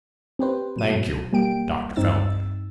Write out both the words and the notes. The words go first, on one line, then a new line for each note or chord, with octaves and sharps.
"Thank you, Dr. Feldman."
C4 G4 B4 C5
B2 F#3 D#7
G3 A#3 G5 D7
G2 C4 D#4 E6 A6